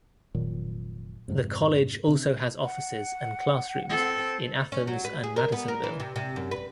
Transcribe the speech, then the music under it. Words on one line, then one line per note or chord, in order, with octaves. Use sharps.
The college also has offices and classrooms in Athens and Madisonville.
F1 A#2 D#3 F#3
F2 G#2 C3
C3
F#5
C4 A4
C#4
F#3
B4
G#4
A#4
B3
A#4
E3
C3
C3
F#2
B4